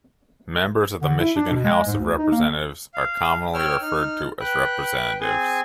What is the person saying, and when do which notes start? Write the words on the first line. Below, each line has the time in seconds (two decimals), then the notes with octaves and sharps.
Members of the Michigan House of Representatives are commonly referred to as representatives.
1.02 D3
1.20 E4
1.36 D4
1.51 B2
1.64 G#3
1.87 G#2
1.99 D2
2.17 D#4
2.32 A#3
2.94 F5
3.54 C#5 G5 E6 F6
3.81 D#4 F6
4.40 B4 G5 F#6
5.21 C4 G#4 G#5